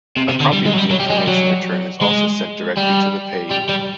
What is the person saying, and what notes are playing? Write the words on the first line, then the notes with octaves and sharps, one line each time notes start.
A copy of the information return is also sent directly to the payee.
C3
C3
D3
G3
G#3
F#3
G3
F#3
G3
G#3
G3
F#3
G#3
G3
G3
G3